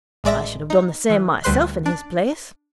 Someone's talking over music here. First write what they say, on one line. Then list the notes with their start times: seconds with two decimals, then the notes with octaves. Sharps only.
I should have done the same myself in his place.'
0.24 A1 G#3 D5 E5 A#6
0.70 D#4
1.10 E3
1.44 D2 G3 B4 C5 C6 F#6
1.86 D4